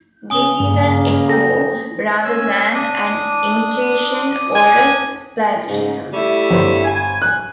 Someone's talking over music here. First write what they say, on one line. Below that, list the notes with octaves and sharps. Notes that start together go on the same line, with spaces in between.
This is an echo rather than an imitation or a plagiarism.
C#3 G#5 D#6 G7
G2 C#3 A#3
A4 G5 A#6
C#4 G#5 E6
D4 D#6
G#5
G#2 C#3
G3 A3 E4
G1 C5
G#5
F#6